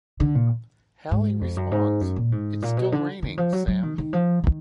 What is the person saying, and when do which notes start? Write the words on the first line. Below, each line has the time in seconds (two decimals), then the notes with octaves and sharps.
Hally responds It's still raining, Sam.
0.20 D3
0.35 A#2
1.11 G#2
1.41 F2
1.57 F#2
1.71 G#2
2.01 F#2
2.16 A#2
2.32 G#2
2.62 A#2
2.77 B2
2.92 D3
3.22 D#3
3.38 F3
3.52 F#3
3.68 F#3
3.83 D#3
3.98 D#3
4.13 F3
4.44 D#3